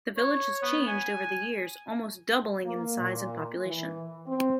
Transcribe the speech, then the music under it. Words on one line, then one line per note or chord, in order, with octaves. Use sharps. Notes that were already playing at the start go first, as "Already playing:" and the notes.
The village has changed over the years almost doubling in size and population.
C#5
B3
G#5
A#3
A#2
E3
C4